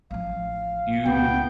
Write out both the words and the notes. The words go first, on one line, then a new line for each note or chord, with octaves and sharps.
Do you
A1 F3 F5
C#2 B3 G5